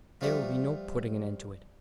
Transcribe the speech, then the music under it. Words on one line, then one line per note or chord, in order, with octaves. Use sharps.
There will be no putting an end to it.
F3 G3 A3 D4 A4 B4